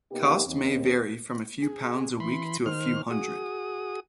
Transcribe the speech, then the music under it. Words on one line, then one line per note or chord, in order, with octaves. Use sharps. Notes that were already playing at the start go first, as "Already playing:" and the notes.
Cost may vary from a few pounds a week to a few hundred.
C3 A#3 B3 D#4 G4
D#2 C4
G#4
E3 B5 C6
D#3 C5 F6
F#4 G#4 D#6